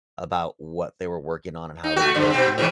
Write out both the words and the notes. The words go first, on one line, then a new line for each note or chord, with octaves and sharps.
about what they were working on, and how they were testing it
D#4
A3 F#4
G2 D3
B2 C4
G#2 B2 E3